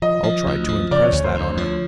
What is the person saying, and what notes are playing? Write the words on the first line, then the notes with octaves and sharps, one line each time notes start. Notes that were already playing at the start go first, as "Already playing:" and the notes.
I'll try to impress that on her.
F3 D#5
F3
D2
F3
C#3 D5
C#5
D2 C#5
C5
D2 C5
F3 C#5